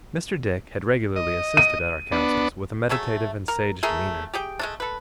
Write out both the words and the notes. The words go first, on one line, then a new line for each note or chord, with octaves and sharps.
Mr. Dick had regularly assisted at our councils, with a meditative and sage demeanour.
D#5
D#7
B3 D4
F#3 A3 G#4 E5
A#4
A3 G#4 A#4
G4 G#4 G5
G#3 A3 D4
A4 B4